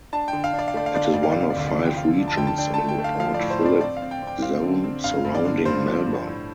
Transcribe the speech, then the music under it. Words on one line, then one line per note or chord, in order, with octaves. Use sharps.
It is one of five regions in the Port Philip zone surrounding Melbourne.
D4 A5
G5
D3
F5
D4
D5
F5
A3 D5
F5
D3 D5
F5
G2 D5
F5
C3 D5
F5
D5
D2 F5
D5
F3
G5
F3 F5
D4
A5
D2 G5
A5
D4 G5
A3 A5
G5
A3
F5
F3 F5
D5
A2
C5
D4
D5
C4 D5
F5
C4
G5
C4
G5
C4 F5
D3
C4
G2 F5
G2
D5
D3
G2 C5
F3
G2
A2